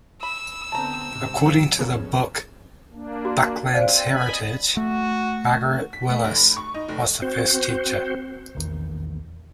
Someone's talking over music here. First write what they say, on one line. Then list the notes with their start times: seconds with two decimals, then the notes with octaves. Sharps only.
According to the book, "Buckland's Heritage," Margaret Willis was the first teacher.
0.23 B5 E6
0.72 D3 B3 C4 A5 A#5
1.10 G#2 C3
1.46 D#3 F3
1.79 F1 E2 A#3 B3 C#4 F4 G#4
2.93 A#3 D4
3.25 F#4
3.74 C4 C5 D5 F5
4.12 D#5 G#5 B5
4.77 A3 F#4
5.93 B6
6.09 A3
6.24 F1
6.36 B5
6.57 C#6
6.74 D#4
6.88 F1
7.22 C4 F#4 C5
8.55 F1 A#1 E2 D#3